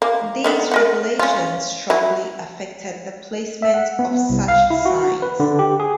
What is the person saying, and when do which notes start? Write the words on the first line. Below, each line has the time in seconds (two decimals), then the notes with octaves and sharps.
These regulations strongly affected the placement of such signs.
0.02 A#3
0.44 D3 D#3 B3
0.72 A#4 D#5 F#5
1.19 C#4 F4
1.90 F#3 E4
3.62 E5
3.74 F#5
3.99 B3
4.29 C2
4.48 F5
4.70 E4
4.85 F#4
5.22 B4
5.40 D3
5.59 G4
5.80 G#4